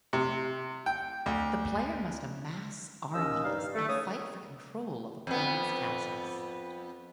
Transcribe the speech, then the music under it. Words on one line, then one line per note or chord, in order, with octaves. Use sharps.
The player must amass armies and fight for control of opponents' castles.
C3
G5
D2
D#2 C#4 D#5 E6
G2 D#4 F5
A3
C#3 C#5 D#6
F2 B3